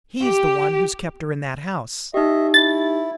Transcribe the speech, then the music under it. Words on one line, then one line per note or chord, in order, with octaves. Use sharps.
He's the one who's kept her in that house.
G4
D#4 G4 D#5 E5
E4 A6